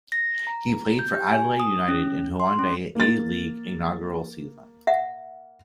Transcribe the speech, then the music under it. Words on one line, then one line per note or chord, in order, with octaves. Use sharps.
He played for Adelaide United in the Hyundai A-League's inaugural season.
A#6
A#5
G6
G4
G#5
D#6
C#4
C6
C#4
A#3 A6
E5 F#5